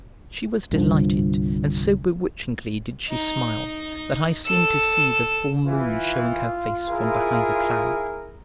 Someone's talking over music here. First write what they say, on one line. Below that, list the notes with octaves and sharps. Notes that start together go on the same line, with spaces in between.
She was delighted and so be witchingly did she smile that I seemed to see the full moon showing her face from behind a cloud.
C2 G2 D3 F3
D#4
A4 E6
E3 F4
E4 G#4 A#4